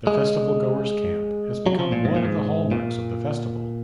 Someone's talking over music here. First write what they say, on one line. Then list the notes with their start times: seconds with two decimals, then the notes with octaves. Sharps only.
The festivalgoers' camp has become one of the hallmarks of the festival.
0.07 G#3
1.66 F#3
1.79 F3
1.92 A#2
2.05 G#2
2.16 A#2
2.25 G#2
2.71 A#2